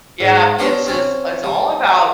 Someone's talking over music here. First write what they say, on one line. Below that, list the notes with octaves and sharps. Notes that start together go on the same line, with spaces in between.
Yep, it's just it's all about
G#2
B3 C#4 D4 G4 C5
C4 C#4
G3